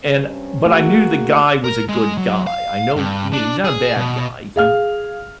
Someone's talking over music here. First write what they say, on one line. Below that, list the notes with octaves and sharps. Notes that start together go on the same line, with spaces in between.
and, but I knew the guy was a good guy, I know, you know, he's not a bad guy, he
G2 C3 C#4
A3 A#3 F#4 G#4
A#4
G#3
F#3
F5
G2
D4
G#4
B2
G#4 F5 F6